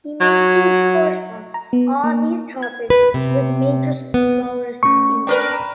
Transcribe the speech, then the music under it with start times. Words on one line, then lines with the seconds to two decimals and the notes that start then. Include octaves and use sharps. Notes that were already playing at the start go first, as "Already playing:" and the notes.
He maintained correspondence on these topics with major scholars in China.
0.21 F#3
1.54 A#5
1.73 B3
2.04 A#3
2.63 G#6
2.90 B4
3.14 C3
4.14 B3
4.83 A3 C#4 C#6
5.27 D4 A#4 B4 G5
5.52 A#5 B5